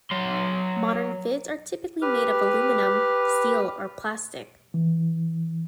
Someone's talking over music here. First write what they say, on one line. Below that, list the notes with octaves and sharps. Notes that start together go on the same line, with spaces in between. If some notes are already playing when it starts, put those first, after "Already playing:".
Modern fids are typically made of aluminum, steel, or plastic.
F#3 C6
G4 B4 F6
E3